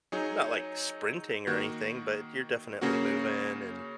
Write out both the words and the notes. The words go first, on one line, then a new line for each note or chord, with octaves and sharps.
not like sprinting or anything, but you're definitely moving and
F#3 D#4 G#4 C#5
D#3 A#3 F#4
C#3 A#3 C#4 F#4